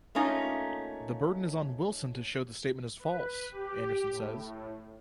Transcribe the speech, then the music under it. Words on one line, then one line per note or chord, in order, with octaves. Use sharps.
The burden is on Wilson to show the statement is false, Anderson says.
A3 A#3 C#4 D#4 F4
B4
G4
A2